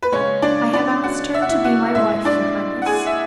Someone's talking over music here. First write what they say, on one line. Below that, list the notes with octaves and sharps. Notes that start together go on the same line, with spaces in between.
"I have asked her to be my wife, your highness."
B4
C#3 G#3 C#4 C#5
D4 D5
D4 D5
F#4 F#5
E5
F#5
E4 E5
F#4 F#5
A2 G#3 E4 E5
D4 D5
F#5
G#4 G#5
E5